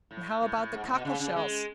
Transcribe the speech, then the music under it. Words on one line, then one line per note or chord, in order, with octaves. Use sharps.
"And how about the cockle-shells?"
A2
A2
A2
G#2
A2
B2
C#3
C#3
G#3